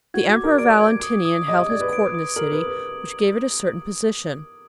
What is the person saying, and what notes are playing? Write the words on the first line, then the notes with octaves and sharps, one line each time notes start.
The Emperor Valentinian held his Court in the city, which gave it a certain position.
F#4 G#6
F#4
D6
A#4
D5 D7
G#6
D#6
D#6
D#5 D#6
D#5
D5 G#6
B4
D7
D#6
A#4 F#7
B4
D#6
B4